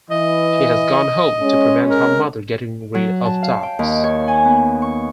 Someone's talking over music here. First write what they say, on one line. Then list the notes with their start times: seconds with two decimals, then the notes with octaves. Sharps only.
She has gone home to prevent her mother getting rid of Daks.
0.11 E3 D#5
1.41 G#3 C#4
1.90 A#4
2.95 F#3
3.25 A5
3.43 F5
3.63 G5
3.79 D#2
4.04 C#5
4.28 G#5
4.45 B3
4.82 C#6